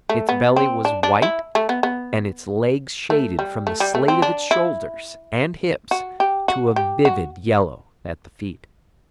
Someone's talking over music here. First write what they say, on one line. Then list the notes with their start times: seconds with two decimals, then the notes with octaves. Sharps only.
Its belly was white, and its legs shaded from the slate of its shoulders and hips to a vivid yellow at the feet.
0.09 A3
0.29 B3
0.56 C4
0.85 D4
1.03 D4
1.22 E4
1.55 A3
1.69 B3
1.83 B3
3.10 A3
3.39 G3
3.67 A3
3.80 G3
3.95 A3
4.08 C4
4.22 D4
4.51 E4
5.91 F#4
6.20 G4
6.48 F#4
6.76 G4
7.05 F#4